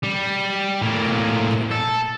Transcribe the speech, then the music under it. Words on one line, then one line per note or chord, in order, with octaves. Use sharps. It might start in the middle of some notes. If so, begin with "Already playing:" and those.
Only connect!
G3
A2 A#3
A4